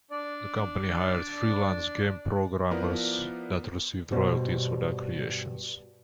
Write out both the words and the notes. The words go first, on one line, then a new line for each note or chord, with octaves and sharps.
The company hired freelance game programmers that received royalties for their creations.
D4 D5
F3 B3 E4 A#4 B4 D5
G2 B2 G3 C5